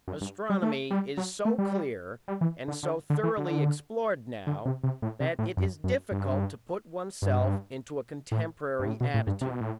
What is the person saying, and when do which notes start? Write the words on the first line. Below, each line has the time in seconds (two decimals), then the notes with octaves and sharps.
Astronomy is so clear and so thoroughly explored now, that it is difficult to put oneself into a contemporary attitude.
0.08 F#2
0.21 G2
0.50 G3
0.62 A3
0.91 G3
1.17 F#3
1.45 A3
1.58 G3
2.28 G3
2.41 E3
2.68 D3
2.83 D3
3.10 D3
3.23 E3
3.37 D3
4.47 D3
4.66 C3
4.83 C3
5.02 A2
5.20 C3
5.39 A2
5.57 F#2
5.84 F#2
6.12 G2
7.22 G2
8.32 A2
8.79 G2
8.86 A2
9.01 B2
9.14 A2
9.27 G2
9.41 C3
9.50 B2
9.61 A2